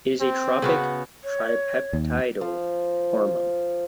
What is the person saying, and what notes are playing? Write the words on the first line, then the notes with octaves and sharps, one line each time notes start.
It is a tropic, tripeptidal hormone.
C4
C#3 B3 F#4
C#5
D#2
F3